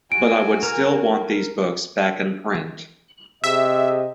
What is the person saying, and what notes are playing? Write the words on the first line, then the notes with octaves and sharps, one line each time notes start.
But I would still want these books back in print.
F#4 G#5 D7
A#4 F6
C3 G#4 D#5 E5